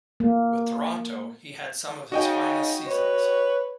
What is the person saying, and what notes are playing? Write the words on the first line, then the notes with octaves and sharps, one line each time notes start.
With Toronto, he had some of his finest seasons.
A#3
C#3 D#4 F#4 D#5 G5
B4 C#5